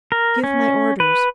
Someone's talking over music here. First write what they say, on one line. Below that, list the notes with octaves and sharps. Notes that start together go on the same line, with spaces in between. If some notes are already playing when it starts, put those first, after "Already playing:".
Give my orders.
A#4
C#4
B4